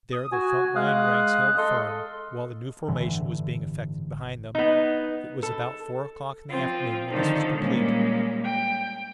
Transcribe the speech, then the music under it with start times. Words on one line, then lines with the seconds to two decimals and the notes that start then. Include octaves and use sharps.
There their front-line ranks held firm, while the new formation was being effected behind them. It was about four o'clock in the afternoon when this was complete.
0.13 D#6
0.32 F#4 G#5
0.76 G#3 F5 D#6 F#6
1.58 A4 D#5 C6
2.88 G1 A2 D3 E3
4.55 B3 D#4
5.43 A4
6.49 F3 C4 F4
7.08 D3 D#3 F3 D#4 A4 C5
7.56 A#2 G3 G#3 A#3 C#4
8.43 G5